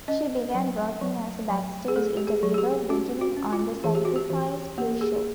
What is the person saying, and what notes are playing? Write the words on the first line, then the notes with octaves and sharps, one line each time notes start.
She began working as a backstage interviewer beginning on the Sacrifice pre-show.
C#4 D#5
F#3
F#3
F#3
G#4
A3 A4
G4
G#4
F#3
G#4
G4
C#4 F#4
F#4
C#4
F4
E3 G#4
G4
F#4
G4
E3
A#3 G4
G#4